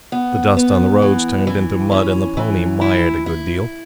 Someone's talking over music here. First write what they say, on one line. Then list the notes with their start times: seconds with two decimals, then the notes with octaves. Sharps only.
The dust on the roads turned into mud, and the pony mired a good deal.
0.12 B3
0.57 B3
1.02 E3
1.47 E3
1.92 C#4
2.37 E3
2.81 E4
3.26 E4